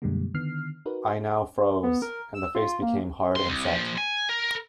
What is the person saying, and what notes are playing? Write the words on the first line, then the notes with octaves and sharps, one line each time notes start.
I now froze, and the face became hard and set.
F#2 B2 D3 G3 G#3 A#3
D3 D#3 B3 F6 C7
D#4 F#4 A#4 B4
B3
A#4
E6
F4
A#3
D#2 C6
C2
A#2 F3
G#5
A#4